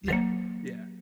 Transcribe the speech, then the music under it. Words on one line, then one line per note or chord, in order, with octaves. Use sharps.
Yeah, yeah,
F#3 A#3